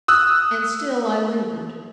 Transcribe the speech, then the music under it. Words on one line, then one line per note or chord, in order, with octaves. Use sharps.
And still I lingered.
D#6 E6 F#6